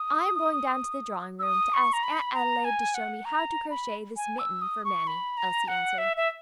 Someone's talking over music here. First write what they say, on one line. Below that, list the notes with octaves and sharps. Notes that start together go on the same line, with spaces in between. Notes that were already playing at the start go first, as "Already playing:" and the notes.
"I am going down to the drawing-room to ask Aunt Adelaide to show me how to crochet this mitten for mammy," Elsie answered.
Already playing: D#6
E6
D#6
C#6
A#5
B5
A#5
G#5
F#5
A#5
B5
G#5
E6
D#6
C#6
B5
A#5
F#5
E5
E5